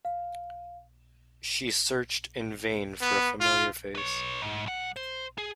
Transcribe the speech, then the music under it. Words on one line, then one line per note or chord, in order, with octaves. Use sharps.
She searched in vain for a familiar face.
F5
B3
F4
B4 C#5
G#2
B1 F#5
C5
G#4